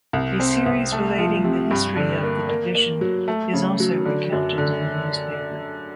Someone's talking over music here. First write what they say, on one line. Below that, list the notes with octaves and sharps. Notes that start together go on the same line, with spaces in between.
A series relating the history of the division is also recounted in the newspaper.
C2
C4
C2
A3
F3
C3
G2
D3
A#3
A#3
A#3
F#3
A3
C#3
F#3
D3
F#2
D3